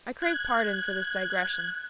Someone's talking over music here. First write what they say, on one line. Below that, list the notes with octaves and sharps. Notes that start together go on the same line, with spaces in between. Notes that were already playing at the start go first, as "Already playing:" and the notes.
I crave pardon for this digression.
F#6 G#6